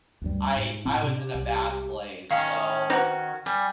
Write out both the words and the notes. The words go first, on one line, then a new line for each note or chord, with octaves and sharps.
I I was in a bad place, so,
D2 G2 G3
G#2
A2 C4
C3 G4
C2
D#3 C#4 F5
D#4 F#4 B4 C5 A#5
G3 G#5